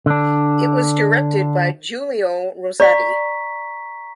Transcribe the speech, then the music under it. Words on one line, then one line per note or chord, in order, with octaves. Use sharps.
It was directed by Giulio Rosati.
D3 D4
D5 A#5 C#6 B6